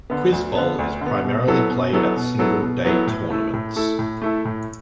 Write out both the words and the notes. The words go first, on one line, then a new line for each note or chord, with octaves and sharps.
Quiz bowl is primarily played at single-day tournaments.
D3 B3
D2
D3 B3
D2
D3 B3
B2
F#3 B3 E4 A4
B2
F#3 B3 E4 A4
B2
F#3 B3 E4 A4
B2
F#3 B3 E4 A4
A2
A3 E4 A4
A2
A3 E4 A4
A2
A3 E4 A4
A2